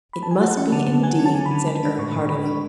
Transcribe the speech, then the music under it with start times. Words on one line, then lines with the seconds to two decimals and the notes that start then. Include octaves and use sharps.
"It must be, indeed," said Earle, heartily.
0.13 B5
0.23 A5
0.31 G#5
0.40 F#3 F#5
0.57 C#4
0.72 D3 A5
0.89 D3
1.03 F#3 G#5
1.19 C#4
1.26 A5
1.35 D3
1.46 B5
1.51 D3
1.66 G#3 B5
1.83 D4
1.98 A2 C#6
2.14 A2
2.30 G#3 B5
2.45 D4